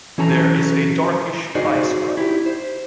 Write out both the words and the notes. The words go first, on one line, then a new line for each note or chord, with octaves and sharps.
There is a darkish eye stripe.
E3 F#3 C#4 A4 A5 A#5
D#4 F#4 G#4 C5 D5 D#5
E4 G4
C5